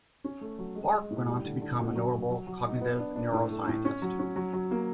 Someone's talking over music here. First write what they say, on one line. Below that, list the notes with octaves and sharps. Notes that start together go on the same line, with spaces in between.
Barke went on to become a notable cognitive neuroscientist.
C#4
A3
F#3
G#3
G#3
A2
G3
D3
D3
B2
F#3
F#3
F#3
F#3
D#4
B3
D4
D4
A2
A3
A2
C#4
F#3
C#4
F#3
F#3
A#3